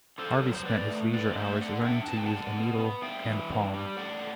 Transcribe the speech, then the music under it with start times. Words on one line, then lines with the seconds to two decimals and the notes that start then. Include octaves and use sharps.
Harvey spent his leisure hours learning to use a needle and palm.
0.18 D3 A4 C5
0.42 F#3
0.55 C5
0.65 D3 B4 D5
0.89 A3
1.13 D3 B4 D5
1.33 D5
1.37 A3 C5 E5
1.53 E5
1.61 D3 D5 F#5
1.84 D4 E5 G5
2.08 B2 A5
2.18 G5
2.26 F#5 A5
2.32 G3
2.55 B2
2.78 B3
3.02 G2 E5 G5
3.26 E3
3.50 G2
3.74 G3
3.97 A2 D5 F#5